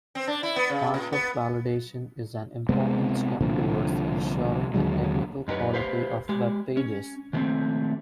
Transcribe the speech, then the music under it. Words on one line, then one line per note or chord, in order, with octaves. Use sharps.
Markup validation is an important step towards ensuring the technical quality of web pages.
C4
D4
E4
B3
C#3
A#2
B3
C3 G#3 B3 C4
C2 A#2 D3 F3
D#2 D3 F#3 G#3
F#2 D#4 G4 B4 C#5
G4 B4 C5 E5 F5
G#3 G4
C#4
D#3 F3 A3 A#3 C4 C#4